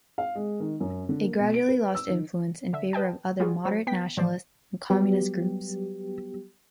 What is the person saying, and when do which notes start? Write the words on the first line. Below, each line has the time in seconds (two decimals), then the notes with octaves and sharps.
It gradually lost influence in favor of other moderate nationalist and communist groups.
0.18 F5
0.35 G#3
0.60 D#3
0.80 F#2
1.09 D3
1.22 A#3
1.40 B2
1.54 D7
1.68 B4
1.95 E6
2.09 D#3
2.73 D3 E5
2.93 B4 D#5 G5 A5
3.40 G3 F4 F#4 G#4
3.65 F#3 C5
3.87 B3 G5 B6
4.17 A2 E3 F3 C5 D5
4.90 F#3 G3 B3 G4